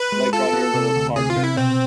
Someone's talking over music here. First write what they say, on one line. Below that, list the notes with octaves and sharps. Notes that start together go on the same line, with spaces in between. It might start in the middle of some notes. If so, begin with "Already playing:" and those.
Like, on your little card game app.
Already playing: B4
G#3
F4 A4
B3
C3
D2
C3 G#4
F4
C3
E4
B2 C4